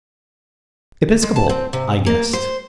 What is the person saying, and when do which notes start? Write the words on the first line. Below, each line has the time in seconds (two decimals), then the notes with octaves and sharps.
"Episcopal?" I guessed.
1.23 G#3
1.36 A5
1.49 C4
1.73 C3
2.06 A#3
2.33 C5